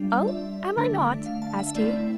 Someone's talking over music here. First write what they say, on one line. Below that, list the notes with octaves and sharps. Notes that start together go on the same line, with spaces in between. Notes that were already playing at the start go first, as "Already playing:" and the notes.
'Oh, am I not?' asked he.
Already playing: G3 D4 F4
D5
E5
D3 A3 D4
F5
A5
E5
A3 C4 E4 D5